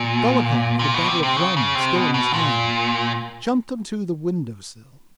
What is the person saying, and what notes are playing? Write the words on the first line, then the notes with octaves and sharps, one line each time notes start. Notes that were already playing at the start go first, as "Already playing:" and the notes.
Dolokhov, the bottle of rum still in his hand, jumped onto the window sill.
Already playing: A#2
A#2
B2
C3
C3
C#3
C#3
C3
B2
B2
A#2